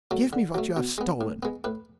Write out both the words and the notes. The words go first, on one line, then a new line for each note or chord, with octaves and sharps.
'Give me what you have stolen!'
F#3 A3
D3
F#3 A3
B2
G#3 B3
A2
G#3 B3
A2 B4